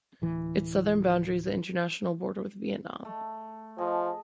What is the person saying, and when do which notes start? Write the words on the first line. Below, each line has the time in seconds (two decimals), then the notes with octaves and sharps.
Its southern boundary is the international border with Vietnam.
0.22 D1 E3
3.05 A3
3.78 F3 G#4 A4 D#5